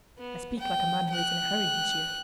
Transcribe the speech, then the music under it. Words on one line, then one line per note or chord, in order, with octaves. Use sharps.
"I speak like a man who is in a hurry, monsieur."
B3
G5
G5 F#6